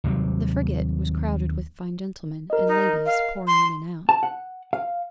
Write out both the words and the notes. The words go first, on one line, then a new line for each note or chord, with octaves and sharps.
The frigate was crowded with fine gentlemen and ladies pouring in and out.
D#2 C3 F#3 G3
A#4 D#5
D#4
F5
C6
A5
F#5
F5